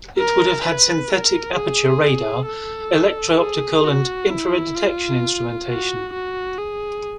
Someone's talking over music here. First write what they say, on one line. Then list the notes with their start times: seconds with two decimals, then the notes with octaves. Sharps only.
It would have had synthetic aperture radar, electro-optical and infrared detection instrumentation.
0.18 A#4
0.64 B4
1.10 A#4
1.55 G#4
2.47 A4
3.37 G#4
3.84 F#4
4.30 E4
4.76 F4
5.67 F#4
6.13 F#4
6.58 G#4